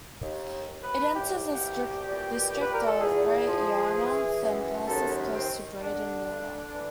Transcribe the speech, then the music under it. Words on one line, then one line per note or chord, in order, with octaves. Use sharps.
It enters the district of Great Yarmouth, then passes close to Breydon Water.
D#2
D#2
B4
C2 G4
B2
A#2
A#2
B4
A#4
A4
E2 G#4
F3
E3
F#2
D#2 A4
D#3 C4
D3 D4
D3
E3